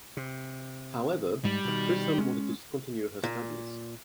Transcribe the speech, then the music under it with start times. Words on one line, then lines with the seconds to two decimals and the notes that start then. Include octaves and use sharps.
However, Chisholm wanted to continue her studies.
0.17 C3
1.45 G#2 G3
1.65 B2 D#3
2.18 G#3 C#4
3.24 A#2